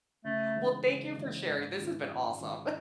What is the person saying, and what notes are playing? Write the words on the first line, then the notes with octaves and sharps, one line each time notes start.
Well, thank you for sharing, this has been awesome.
C#3 A3
E3 G#3 C4 D#4
C#3
E3 G#3 C4 D#4
G#2
D#3 G#3 C#4 F4
G#2
D#3 G#3 C#4 F4